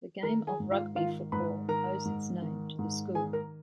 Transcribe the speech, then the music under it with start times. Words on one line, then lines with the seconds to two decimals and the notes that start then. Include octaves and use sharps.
The game of Rugby football owes its name to the school.
0.23 D#3 A#4 A#5
0.47 G#4 G#5
0.60 G#2
0.72 F4 F5
0.95 D#3 F4 F5
1.32 G#2 B4 B5
1.69 D#3 A#4 A#5
2.05 G#2
2.42 D#3
2.79 G#2
3.15 D#3 G#4 G#5
3.33 A#4 A#5